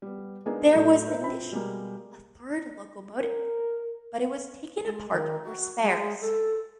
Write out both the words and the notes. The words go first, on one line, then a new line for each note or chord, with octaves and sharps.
There was initially a third locomotive but it was taken apart for spares.
G3 B3
G#3 A#3 B3 D4 D#4 G#4
A2 F#3 A3 A4 G6
D#4 E4 A#4 B4 E5
A#2 C4 B5
B2 G3 G#3 A#3
A#4
G#3
D#3
F#4
G#3
A4